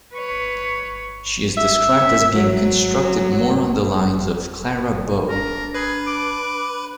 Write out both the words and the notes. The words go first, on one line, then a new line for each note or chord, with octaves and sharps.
She is described as being constructed more on the lines of Clara Bow.
B4 C#5
E5
F#3
D4 A#4
G#4 B4 B5
D6